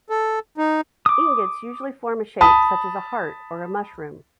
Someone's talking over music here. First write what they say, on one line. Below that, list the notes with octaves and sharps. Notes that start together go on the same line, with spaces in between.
Ingots usually form a shape such as a heart or a mushroom.
A4
D#4
D6 D#6
A5 B5 D#6